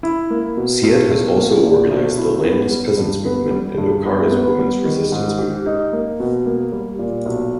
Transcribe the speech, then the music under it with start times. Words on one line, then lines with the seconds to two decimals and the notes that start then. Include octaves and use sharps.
Syed has also organized the landless peasants movement and Okara’s women’s resistance movement.
0.03 E4
0.30 A#3
0.57 B2
0.83 B1
1.10 B1
1.37 A#3
1.63 A#2
1.90 B1
2.17 E4
2.44 B3
2.71 G3
2.98 G2
3.25 B3
3.51 G3
3.78 G2
4.05 G1
4.32 B3
4.59 G3
4.85 D#3
5.12 G#2
5.39 G4
5.66 D#4
5.93 A#3
6.20 B2
6.46 A#3
6.72 G3
6.99 A#2
7.26 B1